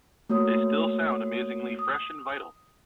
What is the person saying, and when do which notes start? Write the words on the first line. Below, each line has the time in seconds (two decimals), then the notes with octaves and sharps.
They still sound amazingly fresh and vital.
0.30 A3 A#3 F#4 C#5 D#6
1.79 D#6